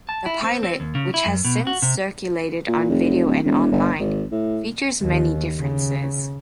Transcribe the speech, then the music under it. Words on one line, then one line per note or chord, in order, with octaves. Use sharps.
The pilot, which has since circulated on video and online, features many differences.
A5
E4
C4
C4
D#2
C#3
E4
F#2
B2
F#4
C3
A#2
F1
D1
E1
G1
G#1
A2
D#2
C#3